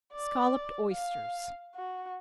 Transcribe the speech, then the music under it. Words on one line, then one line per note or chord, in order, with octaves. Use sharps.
Scolloped Oysters.
D5
F5
F#4